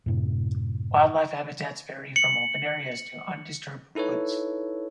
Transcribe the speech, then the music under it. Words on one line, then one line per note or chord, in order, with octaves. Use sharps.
Wildlife habitats vary from open areas to undisturbed woods.
F#2 A2 C3
C#7 F#7
D#4 E4 A4 B4 C#5